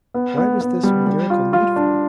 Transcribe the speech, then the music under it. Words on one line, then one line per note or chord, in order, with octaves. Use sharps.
Why was this miracle needful?
B3
B3
B3
G3
G3
F4
F4
D4